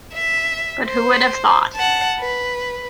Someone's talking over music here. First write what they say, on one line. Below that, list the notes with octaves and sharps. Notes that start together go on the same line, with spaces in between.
But who would have thought?
E5
C5
F#5 A5
B4